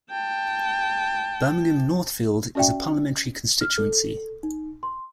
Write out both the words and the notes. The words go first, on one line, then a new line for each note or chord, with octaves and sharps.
Birmingham Northfield is a parliamentary constituency.
G5 A5
C#4 F#4 D5 E5 G5
F6
A4
D#4
C6